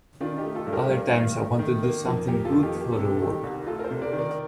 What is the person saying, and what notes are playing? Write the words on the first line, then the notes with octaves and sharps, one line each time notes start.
Other times I want to do something good for the world.
D#3 D4 F4
D#4 G4
A3
F4 A4
G2
G4 A#4
G2
D#3
A3
D#3
A#3
F2
F2 G4 A#4
F4 A4
D#3
D#4 G4
A#3
G4
A4
C3
G4
D#3 A4
D#4 G4
C2
A3 F4 A4
A#4
A4 C5
C3
A#4 D5
D#3
A#4 D5